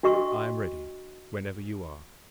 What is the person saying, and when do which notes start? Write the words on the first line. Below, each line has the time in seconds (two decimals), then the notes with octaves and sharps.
"I am ready, whenever you are."
0.03 D4 F#4 D#5 C#6